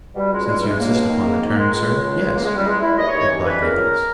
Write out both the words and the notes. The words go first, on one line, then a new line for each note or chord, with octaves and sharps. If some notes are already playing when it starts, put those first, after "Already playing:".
'Since you insist upon the term, sir, yes,' replied Nicholas.
B2 G3
C#2 G#3
G2 G#3
E3 G3
G#3
C#2 A#3
B2
D#3
G#2
D#3 A#3
D#3 G#3
C#2 G#3
C#3
C#2
C#2
C#2 A#3
G#3
C#2 G3
E2 G#3
E2 E4
D#2 D#5
C#5
D#2
C#5
E3
G2 B4
C#2 A#4
C#3